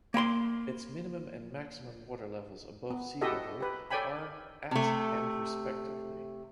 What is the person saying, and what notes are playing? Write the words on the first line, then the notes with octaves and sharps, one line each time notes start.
Its minimum and maximum water levels above sea level are at and respectively.
A#3 G5 B5 C6
B3
E4 F#4 G4 A4 D#5 E5
G4 B4
A4 C#5 D5 G5 G#5 B5
C3 A3